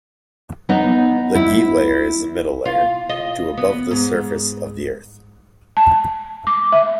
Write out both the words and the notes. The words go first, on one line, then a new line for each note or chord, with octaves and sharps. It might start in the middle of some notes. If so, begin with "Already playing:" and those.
The E layer is the middle layer, to above the surface of the Earth.
B3 D#4
E4
F4
D#5
B3
G#2
A5
D6
E5